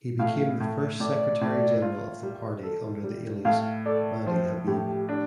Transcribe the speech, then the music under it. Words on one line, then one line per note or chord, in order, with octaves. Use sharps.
He became the first secretary general of the party under the alias Mahdi Habib.
A2 F5
A2
A2 D5
A2
F4
G3
A4
G3
A2 F5
A4 D5
F3 C5
A2 G4
D4